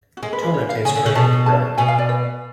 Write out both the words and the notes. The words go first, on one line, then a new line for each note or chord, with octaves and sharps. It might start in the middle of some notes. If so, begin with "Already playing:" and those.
Tuna tastes great with bread.
F#4
G#3 G#4
B4
B4
C#5
F5
C#3 G#5
D3
C#3
B2 A5
A5
B2 G#5
F5
D5
B4